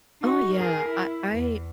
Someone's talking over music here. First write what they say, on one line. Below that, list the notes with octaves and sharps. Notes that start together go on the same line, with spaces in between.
Oh, yeah, I I
D#4 F#4
G#4 A#4
E4
E2